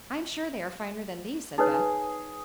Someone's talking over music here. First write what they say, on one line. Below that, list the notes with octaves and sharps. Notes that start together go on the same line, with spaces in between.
"I'm sure they are finer than these," said Beth.
D#4 G#4 B4 C#5